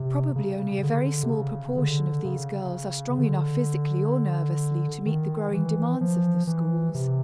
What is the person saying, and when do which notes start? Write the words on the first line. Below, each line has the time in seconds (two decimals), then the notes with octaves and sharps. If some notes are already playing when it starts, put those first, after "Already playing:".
Probably only a very small proportion of these girls are strong enough physically or nervously to meet the growing demands of the schools.
Already playing: C3
0.35 C#3
0.83 D3
1.23 C3
1.30 C#3
1.77 D3
2.25 C#3
3.18 D3
5.06 D#3
5.53 E3
6.01 F3
6.47 E3
6.94 C3